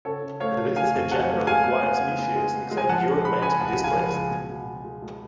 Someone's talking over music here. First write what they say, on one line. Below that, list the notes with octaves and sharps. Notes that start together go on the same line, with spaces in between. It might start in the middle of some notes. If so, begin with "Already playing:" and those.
This is a generally quiet species, except during mating displays.
C#3 A4 C#5
C#3
A3 C#5 F5
A3
C#3 F5 G#5
F2
F#3 F#5 A5
A3
G#3 F5 G#5
B3
B3
C#3
B3
G#3
B3
G#3
G#5
F3 F#5 A5
C#3
C#3 B5
C#3 G#5 B5
C#2 F#5 A5
C#2
F5 G#5
F3
C#2
B2
B2
B2
G#3
G#3